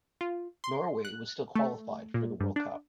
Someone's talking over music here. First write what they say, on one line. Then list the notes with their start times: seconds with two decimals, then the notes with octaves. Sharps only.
Norway was still qualified for the World Cup.
0.21 F4
0.64 C6
1.05 F#6
1.55 A3
2.14 A#2
2.40 G2
2.56 D4